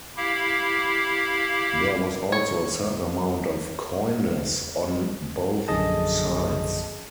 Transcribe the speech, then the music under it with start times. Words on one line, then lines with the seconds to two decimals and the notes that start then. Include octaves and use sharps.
There was also a certain amount of coyness on both sides.
0.17 E4 G4 F5
2.32 C#5
5.68 A#1 F#2 D3 G#4 D#5 A5